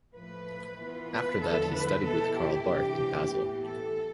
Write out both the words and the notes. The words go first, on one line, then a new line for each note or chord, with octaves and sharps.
After that he studied with Karl Barth in Basel.
A2 F3 A3 B4
E3 B3 F4
B4
E2 D3 F3 A3 E4 A4
B4
B2 B3 E4 A4
G4
C3 E3 G3 D4
A2 E3 B3
A4